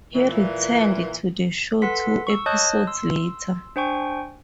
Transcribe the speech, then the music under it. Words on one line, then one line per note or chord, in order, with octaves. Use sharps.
He returned to the show two episodes later.
A#2 E3
A4 B4 F#5 C6 B6
C#6 E6
C#5 D#5 A5 D#6 F#6 G6
C6 E6
D4 C5 G5 G#5 C#6